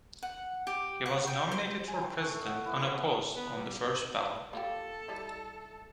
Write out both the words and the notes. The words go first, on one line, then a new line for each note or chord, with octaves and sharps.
He was nominated for President unopposed on the first ballot.
F#5
G4
F#5
G5
C5
G#5
G5 C6 C#6
A3
D#5 E5 F#5
B3 E4 B4
C#4
B3
G3
G#2
A#3 F4 G4 A4
G3 D#4 E4